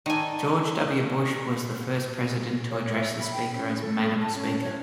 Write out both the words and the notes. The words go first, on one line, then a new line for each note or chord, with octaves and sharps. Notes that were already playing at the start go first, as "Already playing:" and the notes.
George W. Bush was the first president to address the speaker as "Madam Speaker".
D#3 D4 A4 G#5
C#5
E5
B5
G5
C#4
A4
A5
C#4
C#5